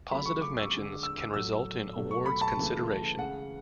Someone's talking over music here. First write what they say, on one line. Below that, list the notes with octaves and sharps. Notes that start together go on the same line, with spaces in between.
Positive mentions can result in awards consideration.
C#3 F#3 A3 B5
C#6
D6
E6
D3 G#3
E6
E6
A2 F#3 A3 E6
B2 F#3 A3
C#6
B5
A5
C#3 E3 A3
C#3 G#3 F#5